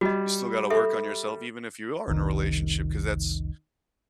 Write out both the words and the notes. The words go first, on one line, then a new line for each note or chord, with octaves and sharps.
you still gotta work on yourself even if you are in a relationship, 'cause that's
G3 F#4 D#5
G4 A4 E5
F1 C2 D#3